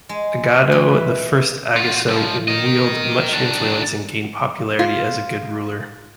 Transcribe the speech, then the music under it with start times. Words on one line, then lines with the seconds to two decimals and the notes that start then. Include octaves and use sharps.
Igodo, the first Ogiso, wielded much influence and gained popularity as a good ruler.
0.09 G#3
0.72 E3 B4
1.76 F4 F#4
2.08 C2 F3
2.48 A#4 D#5
3.33 D#3 D4
4.79 F4